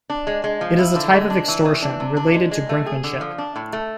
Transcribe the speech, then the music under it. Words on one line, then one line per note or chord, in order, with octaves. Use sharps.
It is a type of extortion, related to brinkmanship.
D4
G#3
G#3
F3
E4
D3
G#3
D4
E3
E3
D4
C3
D4
G#3
G#3
A3
G#4
D3
F3
D4
A2
A3